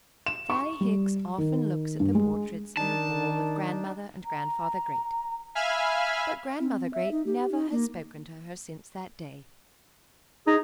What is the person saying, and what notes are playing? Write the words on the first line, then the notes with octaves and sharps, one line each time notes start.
Sallie Hicks often looks at the portraits in the hall of Grandmother and Grandfather Great, but Grandmother Great never has spoken to her since that day.
E7
C#6
G3
D#3
G2
G#3
D#3 D4 D#4 A5
A#5
E5 F5 G#5 B5 F6
C4
E5
D#4
G4
D#4
A#3
D#4 G#4